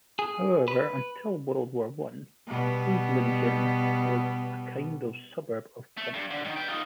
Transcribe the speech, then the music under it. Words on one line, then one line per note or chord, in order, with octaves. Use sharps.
However, until World War One, Kreuzlingen was a kind of suburb of Constance.
G#4
B4
B2 G3 B3
A3
G2
D3
D#3
B4 G5
D#4 F4